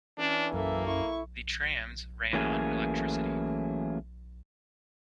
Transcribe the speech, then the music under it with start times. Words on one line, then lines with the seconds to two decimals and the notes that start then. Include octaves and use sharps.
The trams ran on electricity.
0.19 E3 C#4 D4
0.54 F#2 A#3 A4 E5
0.87 E4 C#6
2.33 E3 F#3 A3 A#3 C#4 G#4